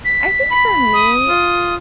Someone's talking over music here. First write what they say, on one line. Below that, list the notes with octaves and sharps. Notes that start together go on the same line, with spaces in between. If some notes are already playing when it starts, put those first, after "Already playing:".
I think for me,
B6
B5
D#6
F4